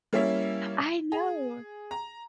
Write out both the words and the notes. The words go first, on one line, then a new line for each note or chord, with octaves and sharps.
I know!
G3 A#3 C#4 E4 C#5 E5
G#4
A#5